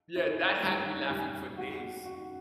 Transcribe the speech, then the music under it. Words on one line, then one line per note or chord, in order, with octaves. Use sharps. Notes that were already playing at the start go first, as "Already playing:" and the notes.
yeah, that had me laughing for days.
E4
G3
G3
F#4
F#4